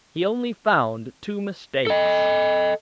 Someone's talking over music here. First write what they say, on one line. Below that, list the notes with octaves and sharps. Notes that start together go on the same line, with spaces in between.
He only found two mistakes.
A4 D#5